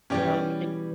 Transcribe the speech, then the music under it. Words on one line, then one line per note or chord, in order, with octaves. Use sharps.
Um, and
B2 E3 G3 C#4 G4 D5